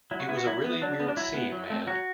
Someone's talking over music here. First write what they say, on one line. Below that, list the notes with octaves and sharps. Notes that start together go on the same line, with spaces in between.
It was a really weird scene, man.
F#3 E4
F#4
B3 E4
F#4
F#3 E4
B3
F#3 D4
B3
D4
F#3 E4
B3
F#3
A3 C4
F#3 F#4